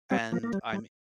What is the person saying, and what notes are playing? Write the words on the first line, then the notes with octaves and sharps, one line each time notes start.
and I'm
G3 C4
F3 A#3
A#3
G3
G3